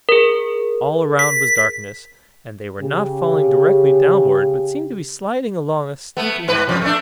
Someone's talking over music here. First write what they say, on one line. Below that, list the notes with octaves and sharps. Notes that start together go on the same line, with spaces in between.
All around was darkness, and they were not falling directly downward but seemed to be sliding along a steep incline.
G#4 A#4
B6
C#3 G4
A3 B3
G#2 B4
F2 C#3 F3
A3 D4